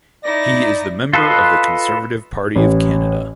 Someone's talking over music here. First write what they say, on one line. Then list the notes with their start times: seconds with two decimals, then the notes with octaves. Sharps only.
He is the member of the Conservative Party of Canada.
0.24 D#4 E4 D5 A#6
1.13 F4 A4 B4 D#5 C6
2.56 A1